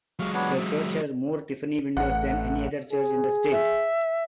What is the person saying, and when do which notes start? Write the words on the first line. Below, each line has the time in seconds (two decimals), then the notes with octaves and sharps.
The church has more Tiffany windows than any other church in the state.
0.19 F#3 G#3 F5 C#6
0.34 B3 D4 C#5
0.58 E5
1.97 A1 F#5
2.92 G#4
3.52 E5